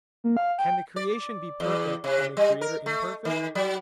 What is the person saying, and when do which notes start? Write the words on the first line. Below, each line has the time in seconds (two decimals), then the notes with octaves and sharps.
Can the creation be perfect and the creator imperfect?
0.24 A#3
0.37 F5
0.58 G5
0.96 D5
1.60 E2
2.04 C3
2.37 G3
2.61 A#4
2.86 A3
3.25 D#3
3.55 F#3